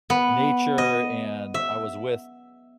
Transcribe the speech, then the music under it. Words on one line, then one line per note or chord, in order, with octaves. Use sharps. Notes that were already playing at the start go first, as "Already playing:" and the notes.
nature and I was with,
B3
D#5
E5